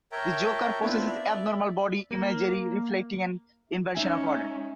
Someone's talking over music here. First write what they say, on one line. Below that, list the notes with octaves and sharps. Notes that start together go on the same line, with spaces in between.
The Joker possesses abnormal body imagery, reflecting an inversion of order.
A#4 C#5 E5 G5 A5 A#5
B3 C4 D4 E4 F4 B4
D5 E5
A#3
G#3 C#4 D#4 E5 G#5